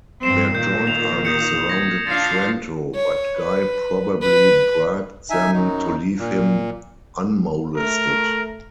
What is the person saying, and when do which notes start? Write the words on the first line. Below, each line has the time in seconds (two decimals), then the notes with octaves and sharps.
Their joint army surrounded Trento, but Guy probably bribed them to leave him unmolested.
0.23 G2 C4 C7 E7
0.55 A#2 D#3 G6
0.87 F7
1.25 D#6 G6 C#7
1.69 G#6 A#6
2.07 D4 F4 F5 A6
2.95 C#5
3.38 B4
4.22 B4
5.30 D#4 E5 G#5
5.53 F#2 D#4
6.18 A#2
7.76 A3 A#4